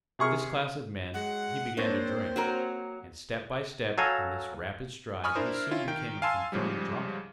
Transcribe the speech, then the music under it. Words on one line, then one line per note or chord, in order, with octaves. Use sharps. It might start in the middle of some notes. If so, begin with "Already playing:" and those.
With this class of men he began to drink, and step by step in this rapid stride he soon became a confirmed drunkard.
C3 G#4 C#6 F6
F#3 G#3 F#5
A#3 C4 D4 C5 C#5 A#6
F#3 F#4 A#4
F#3 A4 F5 G#5 A#5
G#5 B5 C#6 D#6 F6
D4 E4 A#4 C5
C#4 E4 F4
D#3 G5
F5 G#5 A5 C6 E6
G#2 C#3 F3 G3